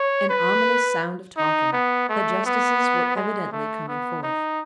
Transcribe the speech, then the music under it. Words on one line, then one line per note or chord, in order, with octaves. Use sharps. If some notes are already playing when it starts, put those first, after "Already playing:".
An ominous sound of talking; the justices were evidently coming forth.
Already playing: C#5
B4
D#4
B3
A3
B3
G#3
A3
B3
D#4